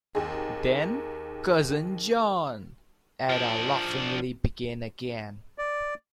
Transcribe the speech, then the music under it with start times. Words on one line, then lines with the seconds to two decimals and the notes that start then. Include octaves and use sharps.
"Then, cousin John — " Ada laughingly began again.
0.15 D#2 D#3 C4 G#4
3.29 F3 D4
5.58 D5